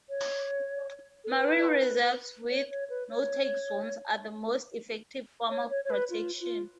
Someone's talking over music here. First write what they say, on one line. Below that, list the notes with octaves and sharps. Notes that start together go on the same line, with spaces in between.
Marine reserves with "no take zones" are the most effective form of protection.
C#5
A4
B4
C#5
C#5
B4
C#5
C#5
C#5
C#5
B4
F4
F4